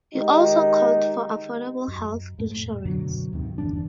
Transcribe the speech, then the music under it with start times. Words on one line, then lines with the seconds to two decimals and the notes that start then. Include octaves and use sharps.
He also called for affordable health insurance.
0.15 D#3 G#3 D#4 G4
1.88 F#2
2.38 F2 A2 A3
2.69 A#2
2.85 F#2 B2 D3 F#3
3.33 D#2 G#2 C3 D#3
3.58 G1 E2 G2 D4